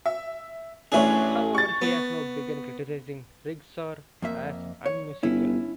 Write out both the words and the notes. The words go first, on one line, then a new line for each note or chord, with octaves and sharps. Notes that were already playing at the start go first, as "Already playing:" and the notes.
However, he has now begun criticizing rigsar as unmusical.
E5
A1 D4 E4 G#4 C#5
C#6 A6
B3
F2 A#3 E5
C#5
G1 C#4 E4